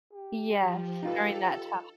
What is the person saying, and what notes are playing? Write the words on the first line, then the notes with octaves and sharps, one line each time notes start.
Yes, during that tough
G4
F3
D#4 F4 A4 B4